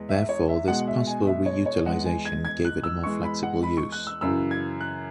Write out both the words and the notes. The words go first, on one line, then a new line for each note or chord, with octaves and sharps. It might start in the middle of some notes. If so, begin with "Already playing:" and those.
Therefore, this possible reutilization gave it a more flexible use.
Already playing: E2 E3 G#3
E5
C#5
E5
B2 G#3 F#5
E5
G#5
E5
C#5
C#5
E2 E3 G#3 F#5
G#5
G#6
G#6
F#6
E6
E2 E3 G#3 C#6
B5
F#5
B5
C#6
F#6
E6
F#2 C#3 E3 E6
G#6
F#6